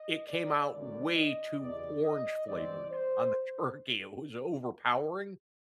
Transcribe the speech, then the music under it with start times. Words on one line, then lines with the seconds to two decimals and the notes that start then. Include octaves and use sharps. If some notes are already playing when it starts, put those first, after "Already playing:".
it came out way too orange-flavored on the turkey. It was overpowering.
Already playing: D#5
0.29 D5
0.72 G#1 F#2 D3 D5
1.15 D#5
1.59 F#1 E2 C3 D5
2.03 D#5
2.47 G2 E3 G#3 C4 D5
2.90 C5